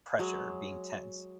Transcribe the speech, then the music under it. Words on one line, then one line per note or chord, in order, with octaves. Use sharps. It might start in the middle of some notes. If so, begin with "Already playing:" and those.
pressure, being tense?
F#3 G#3